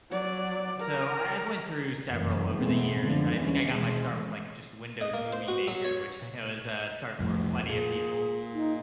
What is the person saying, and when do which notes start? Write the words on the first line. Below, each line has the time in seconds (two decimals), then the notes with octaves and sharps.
So, I I've went through several over the years, I think I got my start with, like, just Windows Movie Maker, which I know is a start for plenty of people,
0.11 F#3 D5
0.80 A#4
2.10 F1 F#2 E3 A#3
2.55 B2 E3 G#3 A3 B3 C4
3.02 F#2 D3 F3
3.34 D#2 E3 G3 G#3 C#4
3.70 B2 E3 G#3 C4
5.01 D#5
5.14 A#3
5.33 C5
5.48 F#4
5.68 F#3
5.84 C#5
7.19 C2 F2 A2
7.68 A#2 G#4
8.54 D#4